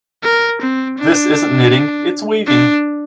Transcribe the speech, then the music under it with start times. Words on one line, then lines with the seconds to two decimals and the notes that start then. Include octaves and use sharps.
This isn't knitting, its weaving.
0.24 A#4
0.62 C4
0.98 D4
2.47 D4